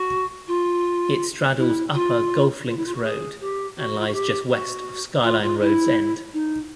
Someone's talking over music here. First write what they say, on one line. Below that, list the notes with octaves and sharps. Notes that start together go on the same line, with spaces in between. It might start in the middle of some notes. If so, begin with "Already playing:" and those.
It straddles upper Golf Links Road and lies just west of Skyline Road's end.
Already playing: F#4
F4
E4
F4
F4
E4
F4
F#4
G#4
G4
F#4
F4
F#4
G4
F#4
F4
F4
E4
D#4